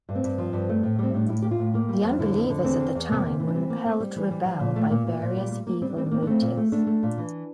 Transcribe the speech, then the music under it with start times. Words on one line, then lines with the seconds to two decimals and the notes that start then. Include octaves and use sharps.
The unbelievers at the time were impelled to rebel by various evil motives.
0.09 G2
0.15 C4
0.24 G2
0.38 F3
0.53 G2
0.69 A3
0.83 A2
0.99 G3 C4
1.14 A2 D4
1.29 A2 E4
1.42 A#3 G4
1.51 F4
1.59 A2
1.74 A#3 F4
1.89 G3
2.04 F2
2.19 D3 E4
2.35 F2
2.49 D3
2.64 E2 C4
2.80 E2
2.95 E2
3.10 C3 A#3
3.25 C3
3.40 E3
3.48 D4
3.55 G3 C4
3.70 A#3
3.86 A#3
4.00 G3
4.16 E3
4.31 G3
4.46 F3
4.60 A#2
4.76 A3
4.91 A#2 A#3
5.07 A#2
5.22 A#2
5.37 G3
5.52 G3
5.67 A#3
5.82 G3 C4
5.90 D4
5.96 G3 C4
6.06 D4
6.11 A#3 C4
6.22 D4
6.27 A3 C4
6.41 A#2
6.57 A3
6.72 A3 D4
6.87 A3
7.03 A#2
7.18 E3